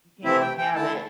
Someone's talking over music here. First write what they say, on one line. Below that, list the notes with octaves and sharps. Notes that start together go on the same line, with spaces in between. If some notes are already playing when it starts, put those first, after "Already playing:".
You can't have it
C3 E3 A3 C4 E4 E5
G5
G5
D3 A3 E4 A5